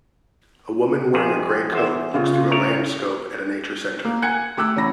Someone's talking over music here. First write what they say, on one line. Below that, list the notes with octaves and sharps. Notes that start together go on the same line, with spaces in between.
A woman wearing a gray coat looks through a Landscope at a nature center.
F2 C3 G#4
E2 C5 E5
C#3 F4
A3 A#4 C#5
A#3
F#5 G#5 F#6 G#6 C#7
A3 D6 E6 F#6
E2 C#4 B5 A#6